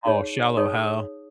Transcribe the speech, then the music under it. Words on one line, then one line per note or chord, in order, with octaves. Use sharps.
Oh, Shallow Hal.
D#4 G#4 C#5 C6
D#4 G#4 C#5 D#6